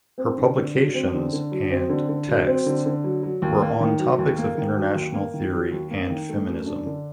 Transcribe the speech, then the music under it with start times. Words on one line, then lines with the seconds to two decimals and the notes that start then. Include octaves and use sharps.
Her publications and texts were on topics of international theory and feminism.
0.18 C4
0.37 D3
0.57 D3
0.75 F#3
0.94 C4
1.14 D3
1.33 D3
1.52 F#3
1.71 C4
1.89 D3
2.09 D3
2.28 F#3
2.47 C4
2.66 D3
2.86 D3
3.04 F#3
3.23 F#3
3.42 D#2
3.62 A#3
3.80 D#3
3.99 F#3
4.19 D#2
4.38 A#3
4.58 D#3
4.76 F#3
4.95 D#2
5.14 A#3
5.34 D#3
5.53 F#3
5.71 D#2
5.91 A#3
6.10 D#3
6.29 A3
6.48 F#2
6.66 D4
6.86 D3